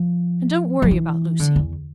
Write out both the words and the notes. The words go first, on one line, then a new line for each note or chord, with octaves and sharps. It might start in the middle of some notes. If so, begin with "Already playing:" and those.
And don't worry about Lucy.
Already playing: F3
F3
E3
D3
E2